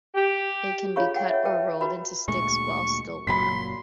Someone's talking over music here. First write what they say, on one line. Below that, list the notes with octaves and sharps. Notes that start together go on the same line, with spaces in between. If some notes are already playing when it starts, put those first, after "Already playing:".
It can be cut or rolled into sticks while still warm.
G4
F4 G#4 C#5 F5 A#5 C#6
F#5 G5
C#5 E5
B4 G5 A5
F#4 B4 A#5 B5
D2 A#2 G#3 C#6
F#1 A#2 F#3 B5 C6 B6